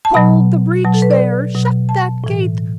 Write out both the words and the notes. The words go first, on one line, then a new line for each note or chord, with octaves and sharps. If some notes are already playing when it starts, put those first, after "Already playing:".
Hold the breach there! Shut that gate!
A5
B2 F#3 B5
B2 F#3 A5
A4
B4
D5
B2 F#3
A5
A2 E3